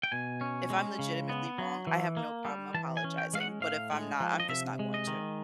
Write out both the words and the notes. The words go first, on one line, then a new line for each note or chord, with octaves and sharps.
If I'm legitimately wrong, I have no problem apologizing. But if I'm not, I'm just not going to.
G5
B2 G#5
C#4
G#3
C#3
B3
F#3
E3
A#3
G3
E3 A5
G#5
C#4
G5
G#3 F5
F#5
A2 F5
G#3
F3
D#5
C3 E5
G#3
D#5
D#3